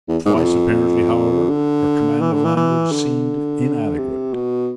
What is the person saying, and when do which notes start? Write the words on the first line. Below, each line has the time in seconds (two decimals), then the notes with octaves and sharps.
Twice apparently, however, her command of language seemed inadequate.
0.08 E2
0.26 G#2
0.35 E2
0.44 F2
1.50 D3
2.21 E3
2.33 D3
2.45 E3
2.57 E3
2.92 D3
3.98 C3
4.34 B2